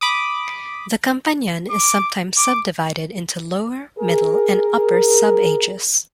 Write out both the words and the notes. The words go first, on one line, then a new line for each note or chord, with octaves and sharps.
The Campanian is sometimes subdivided into Lower, Middle and Upper subages.
B5 D6 D#6
D6
D6
G#4 A#4